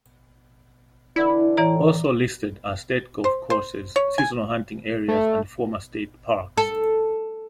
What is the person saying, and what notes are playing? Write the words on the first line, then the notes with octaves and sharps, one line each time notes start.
Also listed are state golf courses, seasonal hunting areas, and "former" state parks.
D3 E3 D4 E4
A2 E3 D5 A#5
C5
C5
C#5
G#5
A3
A4